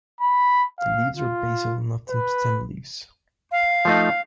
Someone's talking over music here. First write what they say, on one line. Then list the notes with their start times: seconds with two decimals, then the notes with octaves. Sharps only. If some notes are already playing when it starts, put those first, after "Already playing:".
The leaves are basal and often stem leaves.
0.21 B5
0.79 F5
1.17 F4
2.09 B4
3.51 F5
3.85 F3 A3 D#4